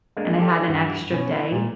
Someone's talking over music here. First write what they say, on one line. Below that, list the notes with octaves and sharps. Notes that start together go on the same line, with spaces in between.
and I had an extra day.
G#3 A#3 D4
G4 A4 D5
G2 F#4
B2 C#4
E4
A#2